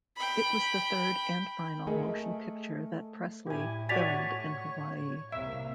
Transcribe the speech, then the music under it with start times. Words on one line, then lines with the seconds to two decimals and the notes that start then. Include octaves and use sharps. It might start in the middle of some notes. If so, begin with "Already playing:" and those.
It was the third and final motion picture that Presley filmed in Hawaii.
0.17 G5 B5
1.87 A3 G#4 A#4 D#5
3.47 A2 E4 G4 G#5
3.89 F#4 C#5 D5 G#5 A6 B6 F7
5.32 C2 C3 A#3 E5 F5